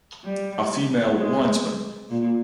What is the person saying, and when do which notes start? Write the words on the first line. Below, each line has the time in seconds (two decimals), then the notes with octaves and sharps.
A female linesman.
0.24 G3
1.17 G#3
2.10 A#2